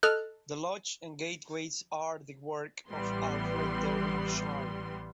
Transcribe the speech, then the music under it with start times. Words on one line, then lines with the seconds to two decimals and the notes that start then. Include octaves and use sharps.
The lodge and gateways are the work of Alfred Darbyshire.
0.03 A4 D#5 F6 F#6
2.90 A1 E3 G3 B3 C6